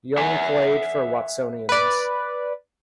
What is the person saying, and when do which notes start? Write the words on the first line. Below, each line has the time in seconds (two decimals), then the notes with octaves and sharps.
Young played for Watsonians.
0.18 E5 F#5 G#5
1.69 B4 D5